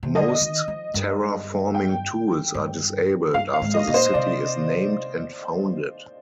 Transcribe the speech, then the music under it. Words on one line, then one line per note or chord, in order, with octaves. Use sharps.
Most terraforming tools are disabled after the city is named and founded.
C3
D3 D#5
D#3
F3
G2
G5
G2
G2 F5
F5
G#2
D#5
A#2
C5
C3 D5